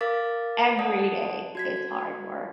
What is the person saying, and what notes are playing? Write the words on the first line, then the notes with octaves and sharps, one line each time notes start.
every day, it's hard work.
A#4 F5 D6 A6 B6
D5 F#5 A5 D#6
F#4 G#6 B6